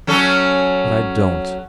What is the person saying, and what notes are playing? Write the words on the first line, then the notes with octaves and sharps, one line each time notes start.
But I don't.
F#3 C#4 A4